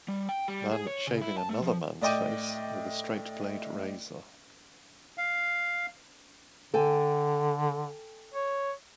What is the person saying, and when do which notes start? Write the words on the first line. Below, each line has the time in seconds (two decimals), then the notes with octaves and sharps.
Man shaving another man 's face with a straight blade razor.
0.08 G3
0.29 G5
0.48 G3
0.72 G#4
0.87 C#5
1.07 C#3
1.22 E4
1.38 A5
1.49 A3
1.63 F3
2.01 A2 D5 D#5 G5 D6 D#7
5.18 F5
6.74 D3 A4 G5 G#5
8.34 C#5